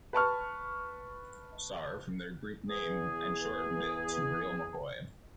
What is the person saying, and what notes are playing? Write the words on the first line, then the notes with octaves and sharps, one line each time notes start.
Sar" from their group name and shortened it to "Real McCoy.
B4 A5 C#6 F6
E2 G#4